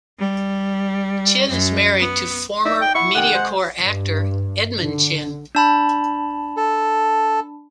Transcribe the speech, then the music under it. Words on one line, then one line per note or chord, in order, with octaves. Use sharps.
Chen is married to former MediaCorp actor Edmund Chen.
G3
F#2
B3
D#4 D5 E5
G5
E4 F#5 B5 C#6
C3 D#3 F#5 G5
G#3 C5
G2
D3
D4 A5 B5
A4